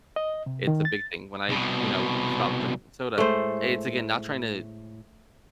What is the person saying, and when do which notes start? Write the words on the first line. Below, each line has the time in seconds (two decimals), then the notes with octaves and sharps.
it's a big thing. When I, you know, stop drinking soda, it's, again, not trying to
0.16 D#5
0.46 C3
0.67 D#3
0.85 A6
1.49 C2 B2
3.18 A2 G#3 A3 C5